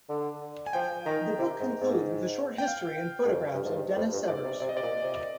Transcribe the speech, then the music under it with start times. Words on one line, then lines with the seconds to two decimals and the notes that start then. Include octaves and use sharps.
The book concludes with a short history and photographs of Dennis Severs.
0.09 D3
0.67 G#5
0.73 F3 G5
1.06 D#3 A#5
1.38 C3
1.60 G#2
1.81 G#2
2.58 G5
2.68 F5
3.25 G2
3.32 F2
3.53 G2
3.64 G#2
3.74 G2
3.96 F2
4.13 G2
4.28 G#2 D5
4.44 C3
4.60 C3 D5
4.69 D#5
4.75 C3 D5
4.82 A#2
5.04 C3